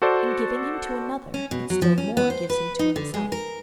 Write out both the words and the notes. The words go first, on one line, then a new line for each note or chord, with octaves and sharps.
In giving him to another it still more gives him to himself.
F#4 A4 C5 D5
C#4
B2
F#3
F3
C#4
B3
C5
B4
D#4
D3
G#3
A#4